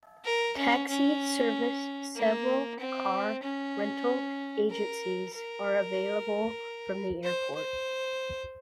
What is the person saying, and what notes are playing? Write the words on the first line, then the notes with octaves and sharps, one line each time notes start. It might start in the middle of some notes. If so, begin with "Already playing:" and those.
Taxi service several car rental agencies are available from the airport.
A#4
C#4
C#4
A#3
C4
C#4
A#4
A#4
C5
C5